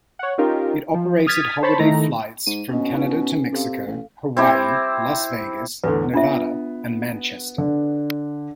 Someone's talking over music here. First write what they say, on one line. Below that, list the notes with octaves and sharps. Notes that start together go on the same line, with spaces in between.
It operated holiday flights from Canada to Mexico, Hawaii, Las Vegas, Nevada and Manchester.
C#5 F#5
C#4 D#4 F4 G4 A#4
F3
D#6 F6 G#6 A6 B6 D#7
C5 C#5 A5 B5
D#3 A3 D#4 E4 A#5
G#2 D#7
B2 C#4 D4 D#5
D#4 E4 B4
C3 A4 F5
A1
C4 E4 G4
E2 A2 D3 B4
B3 D4 F4 E5
D3